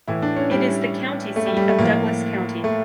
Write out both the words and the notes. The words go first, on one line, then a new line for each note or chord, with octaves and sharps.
It is the county seat of Douglas County.
A2 E3 E4
D4
C#4
G3
A3
G3
G3
A3
A2 F3 A#3
A3